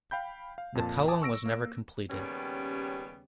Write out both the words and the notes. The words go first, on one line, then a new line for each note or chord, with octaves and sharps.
The poem was never completed.
F5 G5 B5 G6
F5
F2 A#2 A5
G#5 A5 D6 D#6
C#6 E6 A#6 D7
A#3
D#2 C#3 G3 B3 C#4 G4